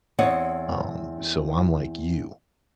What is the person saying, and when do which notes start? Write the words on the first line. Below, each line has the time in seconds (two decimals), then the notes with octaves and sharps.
um, so, I'm like you.
0.19 E2 C4 C#5 D#5 F#5